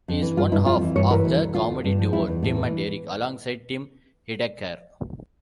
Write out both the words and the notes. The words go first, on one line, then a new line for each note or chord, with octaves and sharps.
He is one half of the comedy duo Tim and Eric, alongside Tim Heidecker.
F2
E3
G2 F4
G2 E4
F2 F4
E3
G2 C#5
E3 A#4
D2
D2
D2 F4
D2
G2
F3
E2 E4
E2
A2
E3